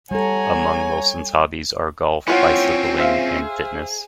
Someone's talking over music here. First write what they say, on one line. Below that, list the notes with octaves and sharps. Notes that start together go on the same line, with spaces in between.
Among Wilson's hobbies are golf, bicycling, and fitness.
G3 A4 C#5 F#5 G#5 A#5
C4 C#4 E4 F4 C#5 F#5 G5
G#4 C5 E5 F5